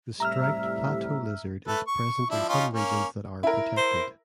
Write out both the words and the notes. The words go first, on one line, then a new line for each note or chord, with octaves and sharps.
The striped plateau lizard is present in some regions that are protected.
A2 C3 G3 E5 A#5 E6 F6
A3 A4 B4
C#6
F3 D4 E4
C#4 D#4 F4
A#3 C#4
E4 A#4
C5